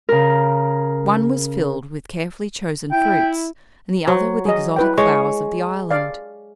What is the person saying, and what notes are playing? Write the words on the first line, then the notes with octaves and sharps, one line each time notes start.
One was filled with carefully chosen fruits, and the other with the exotic flowers of the island.
C#3 A#4
E4 G5
F#3 C5
G#4 D#5
E4 B4 G5
G#3 C#5
D5 F5